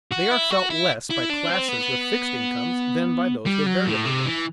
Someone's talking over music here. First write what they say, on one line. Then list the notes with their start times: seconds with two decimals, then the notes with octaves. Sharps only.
They are felt less by classes with fixed incomes than by those with variable ones.
0.11 F#4
0.31 E4
0.51 F#4
0.70 E4
1.10 E4
1.29 D4
1.49 C4
1.68 B3
3.46 G3
3.66 F#3
3.86 A2
4.05 C3
4.25 E3